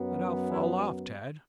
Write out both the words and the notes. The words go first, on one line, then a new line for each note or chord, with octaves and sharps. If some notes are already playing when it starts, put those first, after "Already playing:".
"But I'll fall off, Tad."
Already playing: F#2 F#3 B3
E4